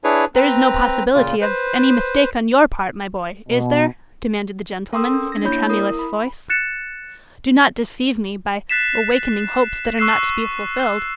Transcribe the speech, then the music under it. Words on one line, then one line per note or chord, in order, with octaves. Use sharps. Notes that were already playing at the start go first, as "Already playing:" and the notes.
There is no possibility of any mistake on your part, my boy, is there?' demanded the gentleman in a tremulous voice. 'Do not deceive me, by awakening hopes that are not to be fulfilled.'
D4 E4 G#4 B4 C#5
C4 B4 A#5
A#2 C#3 F4
B4 C5
B2
A4 A#4 G5 C6 D#6 E6
C#4
D4 A#6
A#3 E4 C#5 B5 G6
E4 A#4 D#6
B5
F#6 A6 C#7 E7
F#6 A6 B6 C7 E7
C#6 E6 F#6 C7 E7